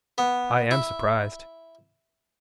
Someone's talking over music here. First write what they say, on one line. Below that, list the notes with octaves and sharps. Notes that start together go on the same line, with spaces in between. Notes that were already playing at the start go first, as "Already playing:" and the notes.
I am surprised.
B3
E4